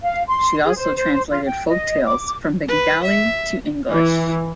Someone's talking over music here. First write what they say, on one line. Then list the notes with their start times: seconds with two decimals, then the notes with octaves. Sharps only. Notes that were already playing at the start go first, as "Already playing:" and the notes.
She also translated folk tales from Bengali to English.
0.02 F5
0.27 C6
0.64 G#4
0.77 C5
0.96 C5
1.31 F4
1.47 G5
1.68 D#5
2.05 D6
2.68 B4
3.05 E5
3.92 E3